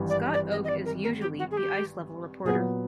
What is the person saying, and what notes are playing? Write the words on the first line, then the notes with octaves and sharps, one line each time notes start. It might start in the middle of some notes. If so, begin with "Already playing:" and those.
Scott Oake is usually the ice-level reporter.
Already playing: G#1 G2 E3
D5
D5
D#5
D#5
D5
A#4
A#4
G4
F#4
G#4
G4
A#2 F#3 B3 G#4